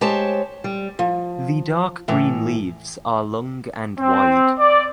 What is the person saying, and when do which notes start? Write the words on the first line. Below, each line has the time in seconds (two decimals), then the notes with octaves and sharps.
The dark green leaves are long and wide.
0.01 G#3 G4 C5 C#5 A5
0.64 G3
0.99 F3
2.08 A2 E3
3.99 C4
4.58 D5